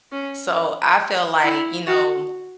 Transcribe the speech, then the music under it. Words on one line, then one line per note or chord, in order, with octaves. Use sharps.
So I felt like, you know,
C#4
E4
F#4